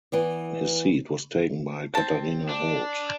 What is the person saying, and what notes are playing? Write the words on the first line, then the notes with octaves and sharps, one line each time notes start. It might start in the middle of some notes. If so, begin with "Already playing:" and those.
His seat was taken by Katharina Roth.
E3 B3 D5
C4 A5
D4